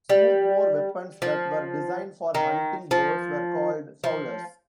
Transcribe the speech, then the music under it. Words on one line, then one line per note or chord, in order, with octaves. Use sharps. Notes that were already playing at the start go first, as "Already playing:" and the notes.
Smoothbore weapons that were designed for hunting birds were called fowlers.
G3
F3
D#3
F3
F3